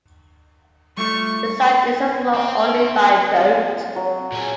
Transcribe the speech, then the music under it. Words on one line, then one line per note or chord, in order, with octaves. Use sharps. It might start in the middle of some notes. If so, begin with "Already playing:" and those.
The site is accessible only by boat.
G3 A3 F4 C#6
C4 G5
F#3
A#2 G#4